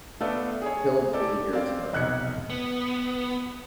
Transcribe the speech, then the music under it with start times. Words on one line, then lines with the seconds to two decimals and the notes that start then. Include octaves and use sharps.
He'll be here tonight.
0.21 A3 B3 A4 B4 D5 F5
0.62 G#4 C#5
1.13 G4 A4 D5
1.53 C4 D5 F5
1.93 F1 B1 F#6 G#6 C#7
2.50 B3